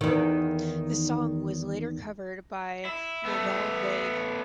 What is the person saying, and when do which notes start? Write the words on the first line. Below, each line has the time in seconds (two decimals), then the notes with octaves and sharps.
The song was later covered by Nouvelle Vague.
0.01 E2 D#3
2.85 E4
3.25 A3 B3